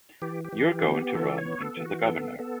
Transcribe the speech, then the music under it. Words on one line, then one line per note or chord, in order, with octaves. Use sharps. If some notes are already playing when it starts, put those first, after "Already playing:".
You're going to run into the Governor.
E3 G4
G4
E3
G4
B3
G4
E3 A4
C#5
B3
A4
E3
F#4
B3 A4
B3 A4